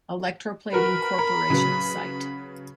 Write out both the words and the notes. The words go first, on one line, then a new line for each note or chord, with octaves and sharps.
Electroplating Corporation site.
F#4 A#4 B4 B5
A#4 A#5
C#3 F#3 B4